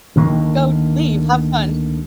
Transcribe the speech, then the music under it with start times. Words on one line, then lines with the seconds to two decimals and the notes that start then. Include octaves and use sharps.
go, leave, have fun."
0.16 D2 D#3 A#3